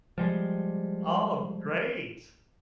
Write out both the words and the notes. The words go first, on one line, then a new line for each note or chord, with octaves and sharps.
Oh, great.
F3 G3 G#3